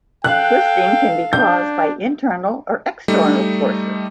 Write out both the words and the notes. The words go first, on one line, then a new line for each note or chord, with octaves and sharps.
Twisting can be caused by internal or external forces.
A4 F5 G5 F#6
D4 G6
G3 A3 D#4